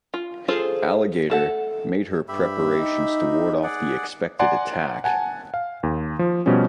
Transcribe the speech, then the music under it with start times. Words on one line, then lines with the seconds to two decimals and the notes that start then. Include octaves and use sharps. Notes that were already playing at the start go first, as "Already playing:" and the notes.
"Alligator" made her preparations to ward off the expected attack.
0.14 F4
0.48 F4 G#4 A4 C5
1.30 A3 A4 F#5
2.28 G2 G4 E5 B5
2.78 D#4
3.63 G#4 D5 F#5
4.39 D5 F#5 G#5 A#5 C6
5.04 F#5 G#5 A5
5.54 F5
5.83 D#2
6.19 F3
6.46 B2 F3 G3 C#4